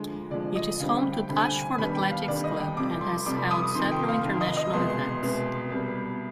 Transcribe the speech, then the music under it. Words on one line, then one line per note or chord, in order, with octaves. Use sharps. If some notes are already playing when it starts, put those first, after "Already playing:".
It is home to Ashford Athletics Club, and has held several international events.
Already playing: D2 D3 F3 G#3
D2 D3 F3 G#3 D5
D#5
D2 D3 G3 C4 F5
G5
G5
D2 D3 G3 C4 B5
G#5
G#5
D#2 D3 G3 B3 B5
G5
F5
D#2 D3 G3 B3 D5
D#5
G5
F1 F2 C3 G3 D6
C6
F1 F2 C3 G3 D6
D#6
F1 F2 D#3 C6
G5
F5
F1 F2 D#3
D#5
D#5
C2 B2 G#3 B3 C6
C6
C2 B2 G#3 B3
C2 B2 G3 B3